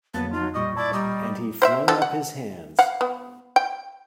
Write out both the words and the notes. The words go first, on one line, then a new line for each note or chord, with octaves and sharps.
And he flung up his hands.
F2 D3 F#3 A#3 B3 A5
F#3 D#4 F4
D2 A#2 G3 D#5 C#6
E4 D5 A5
G3 D#5 A#5 D6
C5 D5 E5
D3 F3 A4
F#5
F5 F#5
B3
G5